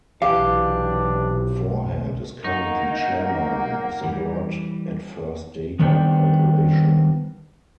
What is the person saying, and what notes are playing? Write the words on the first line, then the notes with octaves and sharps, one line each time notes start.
Forehand is currently Chairman of the Board at First Data Corporation.
B1 C3 E3 D4 G4 F5
A#3 D#4 F#5 C#6
E3 G3
D#3 G3 B3 D4 C5 G5